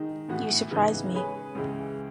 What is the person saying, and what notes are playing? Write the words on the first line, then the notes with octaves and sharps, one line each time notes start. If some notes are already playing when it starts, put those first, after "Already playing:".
You surprise me.
Already playing: D#3 G#3 D#4
A2 E3 B3 F#4
C#3 E3 B3 D#4
G#3 C#4 G#4 B4
C#2 C#3 E3 G#3